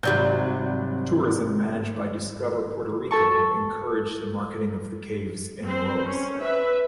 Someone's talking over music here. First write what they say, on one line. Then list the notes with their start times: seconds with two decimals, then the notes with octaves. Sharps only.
Tourism managed by Discover Puerto Rico encouraged the marketing of the caves in Morovis.
0.03 G#1 C3 F#3 G3 D5 G6
3.11 A4 A5 C#6
5.66 C4 C5
6.06 C#4
6.41 B4 E5